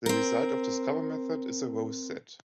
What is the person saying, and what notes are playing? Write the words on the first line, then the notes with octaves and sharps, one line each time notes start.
The result of Discover method is a rowset.
C4 A#4